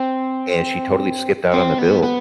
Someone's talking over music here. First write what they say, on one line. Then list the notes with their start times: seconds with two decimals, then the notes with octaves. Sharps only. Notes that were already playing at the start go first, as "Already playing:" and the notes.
and she totally skipped out on the bill,
Already playing: C4
1.54 C4
1.79 B3
2.03 B3